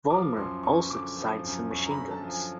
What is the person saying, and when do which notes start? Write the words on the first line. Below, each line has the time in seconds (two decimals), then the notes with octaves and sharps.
Vollmer also designed some machine guns.
0.10 F3 D6
0.37 F#2 C6
0.63 F#2 C#6
0.90 D3 D6
1.17 F3
1.44 F#2
1.71 F#2 C#6
1.86 A#5
1.91 B5
1.97 D3
2.11 A5
2.24 F3
2.31 G#5